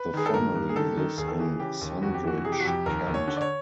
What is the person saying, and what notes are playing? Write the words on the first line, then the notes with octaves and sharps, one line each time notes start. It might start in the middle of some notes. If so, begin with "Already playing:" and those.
The family lives in Sundridge, Kent.
Already playing: B4
D#3 G#4
A4
G2 A#4
G2
G#4
D#3 A4
D#3
D#2 G#4
A4
E3 G#4
C#3 G4
D#2
F2 F#4
G4
E3 F#4
C3 G#4
G4
F#4
F2 G4
D#2 A#4
D#2
C#5
D3
D5
C#5